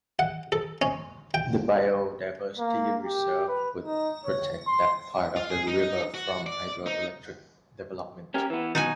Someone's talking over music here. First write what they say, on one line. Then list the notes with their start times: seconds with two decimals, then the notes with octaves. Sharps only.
The biodiversity reserve would protect that part of the river from hydroelectric development.
0.19 F#5
0.52 A4
0.82 C#4
1.34 G5
2.59 A#3
3.05 G4
3.48 B4
3.84 D#4
4.25 C#5
4.67 C6
5.36 F4
5.50 G#4
5.68 D#4
6.14 F#4
6.46 D5
6.86 D#4
8.34 C#4 G4 A#4
8.50 E3 B3
8.75 B1 B2 D#4 F#4 G#5